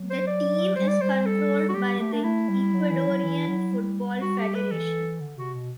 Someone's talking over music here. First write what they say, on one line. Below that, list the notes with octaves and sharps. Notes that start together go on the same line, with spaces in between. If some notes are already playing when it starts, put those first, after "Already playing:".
The team is controlled by the Ecuadorian Football Federation.
Already playing: F#3
C5
D5
G3 C5
D5
G3 C5
A4
F#4
G3 G4
A3 G4
D4
A3 E4
G3
F#3
E3
F#3
E3
F#3
G3
G3 F#4
G4
B4
E3 A4
D3
C3 F#4
B2